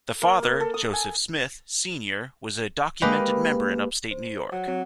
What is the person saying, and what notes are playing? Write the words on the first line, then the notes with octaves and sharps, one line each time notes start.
The father, Joseph Smith, Senior was a documented member in upstate New York.
A#3
A#3
A4
D#6
G#5
G#3 A#3 G4 A#4 B4 D#5
C5
F#3 F#5
F#3 C4